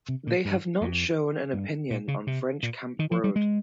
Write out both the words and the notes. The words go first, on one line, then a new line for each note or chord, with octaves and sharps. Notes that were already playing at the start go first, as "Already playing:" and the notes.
They have not shown an opinion on French Camp Road.
C3
A#2
G2
F2
G2
A#2
C#3
C3
A#2
D#3
F3
G3
G#3